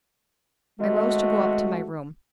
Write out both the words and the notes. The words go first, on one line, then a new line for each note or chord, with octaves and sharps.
I rose to go up to my room.
G#1 G#3 A3 F#4